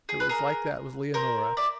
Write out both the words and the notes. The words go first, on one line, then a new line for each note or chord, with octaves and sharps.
It was like that with Leonora.
G#4
B4
G#4 A#4
A#4 C5
D5 E5